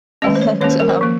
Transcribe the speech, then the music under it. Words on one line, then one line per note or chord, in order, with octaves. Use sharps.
and, um
D#3 G#3 C#4 D#5
C5
C#5
D#3 A#3 C#4 C#5
C5
A#4
C5
F3 A#3